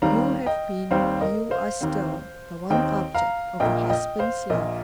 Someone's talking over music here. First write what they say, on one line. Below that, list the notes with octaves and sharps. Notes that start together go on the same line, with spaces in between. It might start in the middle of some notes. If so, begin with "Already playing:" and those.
You have been, you are still, the one object of a husband's love.
D#2 D#3 G3 C4 F5 A#5
D#5 G5
D#2 D#3 G3 C4 C5 F5
A#4 D#5
C5 F5
D#2 D#3 C4
D#2 D#3 C4 D#5 G5
F5 A#5
A#1 A#2 A#3 D#5 G5
D#5 G5
C5 F5
A#1 A#2 A#3 A#4 D#5